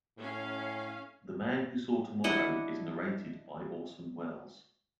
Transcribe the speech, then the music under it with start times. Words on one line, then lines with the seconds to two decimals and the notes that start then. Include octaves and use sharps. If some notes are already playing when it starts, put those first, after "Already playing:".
"The Man Who Saw Tomorrow" is narrated by Orson Welles.
0.18 A2 C#4 F5
2.24 D4 E4 D#5 F#5